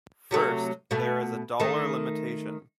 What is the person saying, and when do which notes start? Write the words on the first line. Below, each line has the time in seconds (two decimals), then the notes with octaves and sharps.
First, there is a dollar limitation.
0.31 C3 F#3 A3
0.91 B2 A3
1.60 D#3 A3